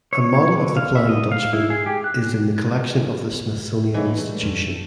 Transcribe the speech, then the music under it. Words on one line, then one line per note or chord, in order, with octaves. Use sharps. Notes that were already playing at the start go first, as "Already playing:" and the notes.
A model of the "Flying Dutchman" is in the collection of the Smithsonian Institution.
C#5
C#5
D3
F5
E5
D#5
F5
E4
G#4
G4
F#6
G#2 E3 G#3 C#5
G2 A3
F2